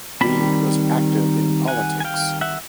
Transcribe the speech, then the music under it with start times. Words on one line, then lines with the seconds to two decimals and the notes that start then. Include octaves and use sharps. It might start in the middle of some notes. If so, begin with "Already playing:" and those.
Reed was active in politics.
0.21 D#3 G3 C4 A5 B5
1.68 F#5 G#5
2.00 G#5
2.04 F5 G5
2.41 E5 F#5